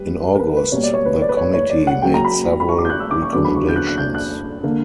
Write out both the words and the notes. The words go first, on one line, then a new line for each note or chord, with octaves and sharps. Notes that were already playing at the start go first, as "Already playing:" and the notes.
In August, the committee made several recommendations.
Already playing: G3 B4
A#4
B4
B4
B2 G3 A#3 C#5
D5
C#5
B4
C#5
D5
B4
C#5
C#5
D5
F#5
C#3 F#3 A#3 G5
A#5
B5
B5
C#6
D6
G6
F#6
E6
D6
C#6
E2 D3 F#3 B3 D6
B5
C#6
G6
F#6
F#6
G6
F#6
D3 A#3